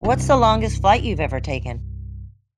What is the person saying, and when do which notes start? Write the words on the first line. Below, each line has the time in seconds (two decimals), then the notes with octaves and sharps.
What's the longest flight you've ever taken?
0.04 C2 G2